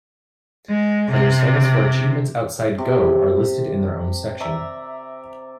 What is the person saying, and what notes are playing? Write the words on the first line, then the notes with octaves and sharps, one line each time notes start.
Players famous for achievements outside Go are listed in their own section.
G#3
C3
C3
D5 E5 A#5